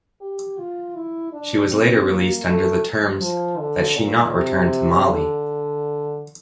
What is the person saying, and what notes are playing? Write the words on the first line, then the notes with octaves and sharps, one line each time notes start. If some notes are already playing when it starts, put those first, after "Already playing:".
She was later released under the terms that she not return to Mali.
G4
F4
E4
D4
C4
A#3
A3
F3
D3
A#2
C3
D3